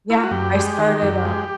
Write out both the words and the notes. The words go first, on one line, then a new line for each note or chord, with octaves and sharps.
Yeah, I started, um,
E4
F4
F#4
F#2 G4
G#3
D#3
F#2
G#3